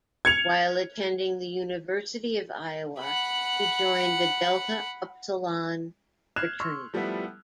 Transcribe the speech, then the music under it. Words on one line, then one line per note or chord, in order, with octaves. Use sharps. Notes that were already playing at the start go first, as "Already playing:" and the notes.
While attending the University of Iowa he joined The Delta Upsilon Fraternity.
G#6 C#7 F7
F#5 B5
F6 F#6 G#6 C7 E7 F7
C6 C#6 E6 F6
F3 G3 A3 B3 E4